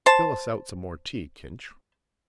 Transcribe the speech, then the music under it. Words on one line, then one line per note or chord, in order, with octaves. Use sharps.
Fill us out some more tea, Kinch.
C5 A5